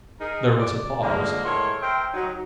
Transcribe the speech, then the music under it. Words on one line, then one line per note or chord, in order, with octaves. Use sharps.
There was a pause.
D#4 G#4 A#4
D5
D3 F3 G#3 A#3
A2 G#3 A4 A#4 C#5 C6
A#4 C5 E5 G5
F#3 D#4